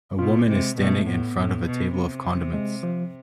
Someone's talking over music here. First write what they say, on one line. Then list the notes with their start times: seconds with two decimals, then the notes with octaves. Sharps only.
A woman is standing in front of a table of condiments.
0.19 B2 F4
0.48 C3 G#3
0.78 B2 B3
0.84 A3
0.92 G#3
0.99 A3
1.07 A2 B3
1.37 A2
1.66 B2
1.95 C3
2.53 G#3
2.83 F3